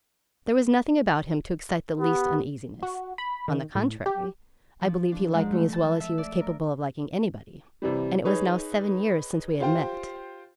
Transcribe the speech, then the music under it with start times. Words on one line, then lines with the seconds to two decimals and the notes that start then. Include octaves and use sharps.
There was nothing about him to excite the least uneasiness; on the contrary, I believe he liked me as well as he was capable of liking anybody, and it was now seven years since we had met.
1.99 B3 G4
2.83 F#4
3.18 B5
3.48 D#3
3.75 A2
4.06 G4
4.81 F3
5.12 D4
5.34 G#2
5.52 A3
5.73 A5
6.00 E5
6.18 D5
6.41 A#4
7.82 C3 E3 G3
8.25 D#4 G#4 B4 C#5
9.60 F4 G4 C5 G5